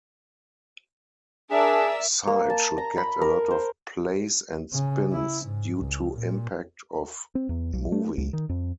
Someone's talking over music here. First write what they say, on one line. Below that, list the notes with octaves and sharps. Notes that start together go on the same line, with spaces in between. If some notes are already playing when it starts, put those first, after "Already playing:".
Side should get a lot of plays and spins due to impact of movie.
D4 G#4 A#4 D5 E5 E6
A#3
A5
A#5
B5
A#4
C5
C#3
E4
G#2
C#2
A#2
C4
E2
B1
A3
C#2
D#3
F2